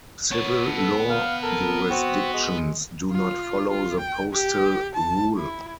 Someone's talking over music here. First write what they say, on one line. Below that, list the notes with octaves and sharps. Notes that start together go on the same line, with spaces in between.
Civil law jurisdictions do not follow the postal rule.
B3 C#5 A5
A4
F5
A4 A#4
C4 F#4
G#3
F4
F4
G5
G4
A5
E4